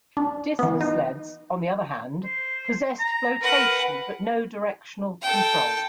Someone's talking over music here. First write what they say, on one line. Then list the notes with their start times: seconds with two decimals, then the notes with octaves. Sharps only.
Disk sleds, on the other hand, possessed floatation but no directional control.
0.17 D4
0.59 E3 B3
0.81 D#4
2.24 C5
2.99 A#5
3.42 A#4 B4 F#5
5.22 A4 G5